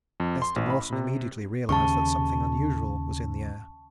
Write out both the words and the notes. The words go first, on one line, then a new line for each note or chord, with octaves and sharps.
Esther Mawson immediately realized that something unusual was in the air.
F2
C6
A1
B5
C3
D#2 C#3 A5 C#6